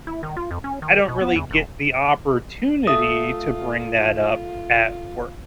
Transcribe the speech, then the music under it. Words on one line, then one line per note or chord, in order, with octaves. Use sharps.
I don't really get the opportunity to bring that up at work.
E4
D#3
F4
F2
C#4
D#3
B2
B3
E2
D#1
A3 F4 E5 D#6